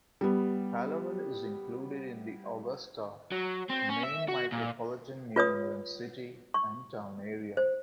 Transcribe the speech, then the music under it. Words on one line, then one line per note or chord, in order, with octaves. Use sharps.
Hallowell is included in the Augusta, Maine micropolitan New England City and Town Area.
G3 B3
F#3
C4
C#4
E5
F#4
A#2
F4 B4 C#5 D#6
C#6
C5